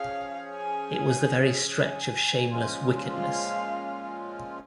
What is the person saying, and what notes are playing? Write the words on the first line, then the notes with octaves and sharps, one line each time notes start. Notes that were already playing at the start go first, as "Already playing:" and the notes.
It was the very stretch of shameless wickedness.
Already playing: F3 C#4 G#4 C#5 F5
G#5
G#5
A#2 F3 G#3 C#4 F4
F5